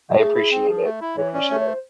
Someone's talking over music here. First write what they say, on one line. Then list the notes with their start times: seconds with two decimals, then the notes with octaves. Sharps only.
I appreciate it. I appreciate it.
0.18 A3 G#4
0.34 E4
0.51 C4
0.68 F3
0.84 A3
1.01 E4
1.17 E3 C#5
1.33 C#4 D5
1.50 A3 C#5
1.60 C#5
1.67 C5